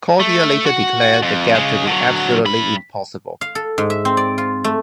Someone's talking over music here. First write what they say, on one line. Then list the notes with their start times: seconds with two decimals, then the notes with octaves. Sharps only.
Cordier later declared the gap to be "absolutely impossible".
0.20 A3
0.66 F#4 F#5
1.22 F2
1.55 C#3 G#3
1.86 D3 F#3
2.46 G2 B5
3.41 F5
3.55 A4
3.78 G#2
3.90 E5
4.05 C4
4.17 D5
4.38 F4
4.64 A3